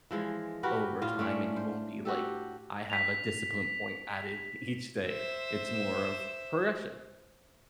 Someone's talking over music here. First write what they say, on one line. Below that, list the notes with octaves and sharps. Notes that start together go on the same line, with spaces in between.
over time, and you won't be like, "I have a discipline point added each day." It's more of progression,
E3 F3 G#3
F#4 G4 A#4 B4
A2 F4
A3 C#4 D4
C5
F#4 G4 A4
B6 F7
C5 E5